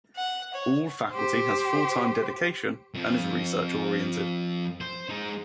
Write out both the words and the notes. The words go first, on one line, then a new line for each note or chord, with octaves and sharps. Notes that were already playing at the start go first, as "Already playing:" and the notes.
All faculty has full-time dedication and is research oriented.
F#5
C#5
G4 C5
F2 F3
C5
G#3 D#4